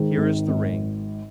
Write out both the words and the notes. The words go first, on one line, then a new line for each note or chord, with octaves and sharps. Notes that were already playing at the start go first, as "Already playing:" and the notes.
Here is the ring.
Already playing: G#2 D#3
G#1
G#1